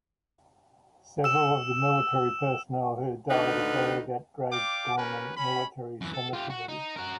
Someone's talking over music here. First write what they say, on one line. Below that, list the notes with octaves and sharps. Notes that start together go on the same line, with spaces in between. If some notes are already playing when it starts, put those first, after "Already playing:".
Several of the military personnel who died are buried in Grangegorman Military Cemetery.
E6 E7
D2 D3 D#4 B4 F5 F#5
D5 F5 G5 D6
C#4 G4 A#4 B4
C#4 B5
F#2 E3
A4
F4 G4
F#4
D#4
F#4 A#4